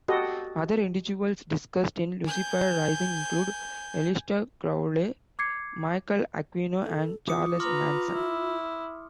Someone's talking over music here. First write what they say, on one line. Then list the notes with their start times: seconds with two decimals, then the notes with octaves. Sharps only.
Other individuals discussed in "Lucifer Rising" include Aleister Crowley, Michael Aquino, and Charles Manson.
0.08 F#4 G4 A4 D#5
2.26 G#5 G6
5.39 D6 G#6 C7 C#7
6.84 A4
7.28 F4 D6 D#6 C#7
7.60 B4 A#5 C6 D6 F6
8.14 E4